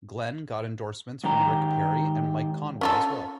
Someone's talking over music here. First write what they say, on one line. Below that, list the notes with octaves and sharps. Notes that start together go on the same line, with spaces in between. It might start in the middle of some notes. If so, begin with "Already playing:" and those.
Glenn got endorsements from Rick Perry and Mike Conaway as well.
G#2 D#3 G4 A#5
C#4 F4 A4